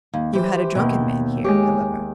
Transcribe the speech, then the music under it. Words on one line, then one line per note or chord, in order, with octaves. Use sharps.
"You had a drunken man here, however."
D#2
E3 G4 C5
D#2 B2 G5
G#3 G4 C#5